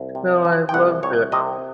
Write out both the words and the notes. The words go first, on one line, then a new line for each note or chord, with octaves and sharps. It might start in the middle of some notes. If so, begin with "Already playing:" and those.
No, I've loved it.
Already playing: C2
C3
F3
G5
C2 F#5
C2 C#5
C3 D#5